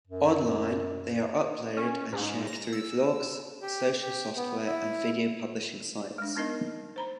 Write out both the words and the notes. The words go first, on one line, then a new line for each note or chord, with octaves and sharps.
Online, they are uploaded and shared through vlogs, social software, and video publishing sites.
F#2
C#4
G#2
A#6
E6
G4
G4
B3
E4
G#3 D4
G#3 B3 D4 D#4 A#4 D#5
C5 A#5 B5